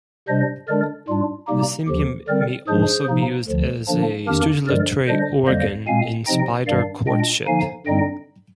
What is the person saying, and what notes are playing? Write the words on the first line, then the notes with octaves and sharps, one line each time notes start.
The cymbium may also be used as a stridulatory organ in spider courtship.
C3 G3 D4 C5 D#5
D3 G#3 D4 A#4 D5
G#2 G3 D4 F4
C3 G3 A#3 D#4 G4
D#2 D3 F3 G4
D3 G3 C4 A#4 D5
G#2 F3 G#3 D4 G#4 C5
C3 F3 A#3 D#4
D2 D3 F3
D3 F3 A#3 D4
F2 D#3 A#3 D4 G4 A#4
G2 D3 F3 G#3 A#4 D5
D3 G3 D4 C5 D#5
F2 D3 G3 A#3 C5 D#5
A#2 G#3 C4 F5 G#5
C3 F3 C4 D#4 D#5 G5
G2 D#3 G3 D4 D5 F5
A#2 G#3 D4 D#5 G5
D3 F3 A#3 D#4 F5 G#5
G2 D3 G3 C4 D#4 D#5 G5